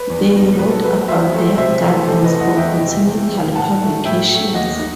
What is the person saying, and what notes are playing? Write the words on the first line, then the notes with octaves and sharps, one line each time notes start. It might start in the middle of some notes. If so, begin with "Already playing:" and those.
They wrote about their gardens for botanical publications.
Already playing: B4
E2
B2 G3 D#4
F#2 B4
A4
F#3 A3 C4 B4
F#2 C5 E5
F#3 A3 C4
C3 C5 E5
E3 A3
C3 A4 C5
B4 D#5
E3 A3
D#5 F#5
E2 E5 G5
C3 E3
E2
C3 E3
A2 F#5 A5
F#3 A3
A2 E5 G5
F#3 A3
D#2 D#5 F#5
D#4